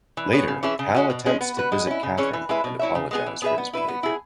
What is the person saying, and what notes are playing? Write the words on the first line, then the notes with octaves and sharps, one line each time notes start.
Later, Hal attempts to visit Catherine and apologize for his behavior.
E3
B3 G#4 C#5
C#3
E3 C#4 G#4 E5
C#3
G#3 C#4 F#4
B2
G#3 C#4 G#4
B3
F#4 B4
G#3
C#4 E4
C#3
E3 C#4 G#4 C#5
E3
G#3 E4 B4 E5
B2
F#3 E4 C#5 E5
C#3
G#3 B3 G#4
E3
B3 G#4 B4 E5
B3
E4 B4 E5
B3
E4 G#4